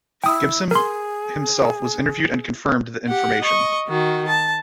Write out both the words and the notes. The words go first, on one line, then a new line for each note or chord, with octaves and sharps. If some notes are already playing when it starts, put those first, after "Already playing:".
Gibson himself was interviewed and confirmed the information.
E4 G5 D#6
G#4 A#4 C6
G4 F#5
D#5 C#6
D#3 F#4
A5